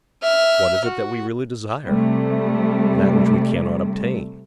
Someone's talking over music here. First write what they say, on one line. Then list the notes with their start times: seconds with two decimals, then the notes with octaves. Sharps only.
What is it that we really desire?--that which we cannot obtain.
0.23 E5 F6
0.85 F#4
1.86 C3 G3 A3